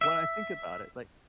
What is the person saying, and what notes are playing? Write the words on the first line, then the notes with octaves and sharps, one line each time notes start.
when I think about it, like,
E5